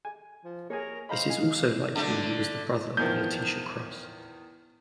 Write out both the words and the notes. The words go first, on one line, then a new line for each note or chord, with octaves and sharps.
It is also likely he was the brother of Letitia Cross.
G#5
F3
A#3 G#4 A#4 C#5 G#5
C5 D#5 F5 A#5 B5
G#5
D3 A3
E2 D#3 F3 G6